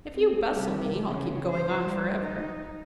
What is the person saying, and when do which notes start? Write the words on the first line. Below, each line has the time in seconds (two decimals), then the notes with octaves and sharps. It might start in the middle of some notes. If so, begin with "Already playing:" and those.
If you bustle me, I'll keep going on for ever.
0.14 C4
0.55 C3 G3
1.02 C#3 E3
1.48 C5
1.83 G3
2.22 D#4